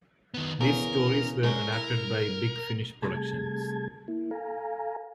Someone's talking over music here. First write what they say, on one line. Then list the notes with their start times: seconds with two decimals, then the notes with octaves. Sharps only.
These stories were adapted by Big Finish Productions.
0.34 D#3 B3
0.61 E2 C#3 A#4
1.44 G#2 C#4 A#4
1.73 E4
3.02 C3 G3 A3 G#4 A5 G#6
4.08 A#3 E4
4.31 A4 F5 G#5 A#5